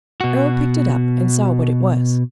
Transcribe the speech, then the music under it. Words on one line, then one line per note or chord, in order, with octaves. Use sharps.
Earle picked it up, and saw what it was.
B2 F#4